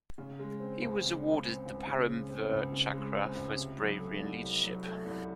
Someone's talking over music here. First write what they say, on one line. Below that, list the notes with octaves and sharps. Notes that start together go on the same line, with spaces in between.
He was awarded the Param Vir Chakra for his bravery and leadership.
C#3
G#3
C4
C#2
C#3
G#3
C4
C#2
C#3
G#3
C4
C#2
C#3
G#3
C4
C#2
C3
F#3
A3
C2
C3
F#3
A3
C2